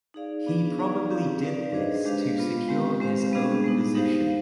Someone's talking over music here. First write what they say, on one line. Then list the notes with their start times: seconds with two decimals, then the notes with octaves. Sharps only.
He probably did this to secure his own position.
0.14 D#4 G#4 D5 F5
0.46 B3 D4 G#4 B4 F5
0.78 D#4 G#4 D5 F5
1.10 C4 G4 B4
1.42 D#4 B4 D5 F5
1.73 D4 G#4 C5 D#5
2.05 G#3 D4 G4 B4 F5
2.36 B3 F4 B4 F5
2.69 G#3 C4 G4
3.00 G#3 C4 G4 C5 F5
3.31 G3 B3 D4 G#4
3.64 G#3 B3 D#4
3.95 D#4 G4 C5 F5